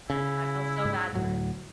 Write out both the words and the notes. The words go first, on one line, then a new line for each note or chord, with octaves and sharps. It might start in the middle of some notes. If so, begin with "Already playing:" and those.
I feel so bad for him.
C#3 E4
G#2
D2 A2 F#3